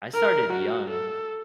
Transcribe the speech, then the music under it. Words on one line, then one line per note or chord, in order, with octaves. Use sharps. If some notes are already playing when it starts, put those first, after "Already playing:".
I started young.
A#4
F#4
A4